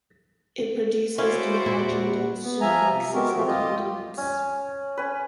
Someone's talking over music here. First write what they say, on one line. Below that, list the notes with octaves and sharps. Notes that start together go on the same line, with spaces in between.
It produces dehydrated soup mixes and condiments.
C#4 E4 F#4 C5 D5 E5 F5
A#2 E4
B3
F3 E5 G#5 A#5
C3
G#3 B3 C4 F#4 G4 A#4
A#2 F3 A3 C4 F#4
F4 G4 D#5
C#4
C#4 B4